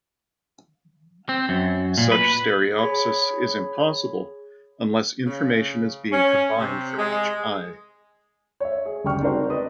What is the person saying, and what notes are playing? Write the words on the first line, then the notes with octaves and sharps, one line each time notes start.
Such stereopsis is impossible unless information is being combined from each eye.
C4
F#2
A#2
B4
G#4 C#5 B5
C#3
C#4
C3
G#3
C#5 E5
G#4
F#1 D2 G3 G5 C#6 F6
C4 D4 D#4 F#4 A#4 C5
B4 D5 D#5 D#6